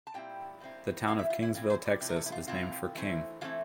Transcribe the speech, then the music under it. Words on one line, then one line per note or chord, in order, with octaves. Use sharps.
The town of Kingsville, Texas is named for King.
A5
A#2 G3 C4 E4 G5
A#2 G3 C4 E4
E3 G3 C4 E4 F5
E5
F4
E4
E3 G3 C4 E4 F4
C5
D5
C3 F3 C4 E4
A#4
A4
E4
F4
C3 F3 C4 E4 F4
E3 A3 C4 E4
E3 A3 C4 E4 F4